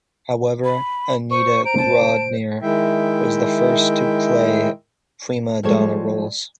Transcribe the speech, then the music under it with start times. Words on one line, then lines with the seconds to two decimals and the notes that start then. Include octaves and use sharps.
However, Annetta Grodner was the first to play "prima donna" roles.
0.65 B5
1.30 C5 C#6
1.65 C5 A#5 D7
1.78 A5
2.62 D#3 G#3 E4 E5 G5
5.63 F3 G3 G#3 A4 C5 C#5